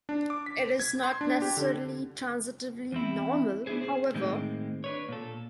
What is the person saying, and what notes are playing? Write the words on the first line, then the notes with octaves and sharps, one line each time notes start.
It is not necessarily transitively normal, however.
D4
D6
B6
G#6
C6
D4
G4
D3
E2 C4 E4
B3 D4 E4 F#4 G#4 C5
G#4 C5
A2 D#3 G#3 A#3 C4
D4 B4 C#5
A#2 A4